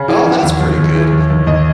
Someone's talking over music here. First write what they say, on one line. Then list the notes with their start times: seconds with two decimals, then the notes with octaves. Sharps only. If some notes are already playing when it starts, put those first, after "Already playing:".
Oh, that's pretty good.
Already playing: C#3
0.08 E3
0.26 E3
0.43 D#2
0.60 D#2
0.78 D#2
0.95 E3
1.13 D#2
1.30 D#2
1.47 D#2 D#5